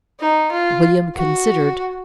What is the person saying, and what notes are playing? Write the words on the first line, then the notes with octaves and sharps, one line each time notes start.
William considered.
D#4
F4
F#4